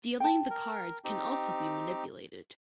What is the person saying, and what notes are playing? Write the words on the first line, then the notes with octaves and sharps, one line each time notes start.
Dealing the cards can also be manipulated.
G5 A5
A#4
C4 D#4 G4